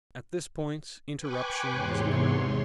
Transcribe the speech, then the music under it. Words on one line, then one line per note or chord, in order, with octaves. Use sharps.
At this point, interruption is inevitable.
B4 G5 G#5 C#6 D6 F#6
E2 G#2 C3 C#5 C6